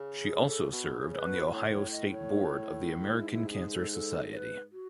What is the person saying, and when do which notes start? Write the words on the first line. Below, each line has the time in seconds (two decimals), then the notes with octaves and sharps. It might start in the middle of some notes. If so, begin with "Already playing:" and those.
She also served on the Ohio state board of the American Cancer Society.
Already playing: C#3
0.20 G#4
0.46 A4
0.72 B2
1.00 C#3
1.13 C#5
1.18 B4
1.26 B2
1.52 A2 C#5
1.73 C#5
1.92 D#5
2.12 C#5
3.12 G#2 E4
3.32 E4
3.52 G#4
3.73 A4
3.93 A4
4.33 C#5
4.37 B4
4.72 F#4